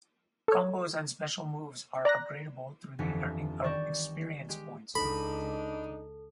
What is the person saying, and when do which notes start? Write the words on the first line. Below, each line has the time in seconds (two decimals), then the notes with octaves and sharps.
Combos and special moves are upgradeable through the earning of experience points.
0.48 A4 C#5
2.05 D5 A#5 F#6 A#6
2.99 G1 F2 E3 D#4 B6 C#7
3.64 D#3 D5 C#6 G6 A#6 E7
4.49 G#3 G4
4.95 C#2 D4 D#4 A4 B5